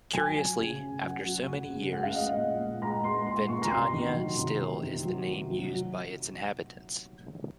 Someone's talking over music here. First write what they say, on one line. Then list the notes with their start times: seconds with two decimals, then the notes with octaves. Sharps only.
Curiously, after so many years, Ventania still is the name used by its inhabitants.
0.13 F#3 G#5
0.36 F#3
0.58 C#3
0.81 C#3
1.03 F#3 F#5
1.25 F#3
1.47 C#3
1.70 C#3
1.92 G#3 F#5
2.03 F5
2.14 G#3 D#5
2.26 F5
2.37 A#2
2.59 A#2
2.82 G#3 A#5
3.04 G#3 C6
3.26 A#2 C6
3.48 A#2 C#6
3.62 A#5
3.71 C3 C6
3.93 D#3
4.16 F#3
4.38 C3
4.60 C3
4.83 D#3
5.05 F#3
5.28 C3
5.50 F#3
5.73 F#3